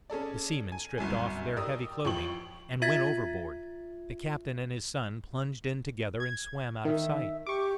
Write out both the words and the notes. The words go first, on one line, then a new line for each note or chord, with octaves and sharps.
The seamen stripped off their heavy clothing, and went overboard; the captain and his son plunged in together and swam out of sight.
C#4 G#4 A4 D5
G#5
G1 C2 F#2 G#5
G4 A#4 D5 D#6 E6
A1 F3 G5 C#6 F#7
F4 E5 G#6 A6 B6
G#6
D#3 E5
G4 C#6 D6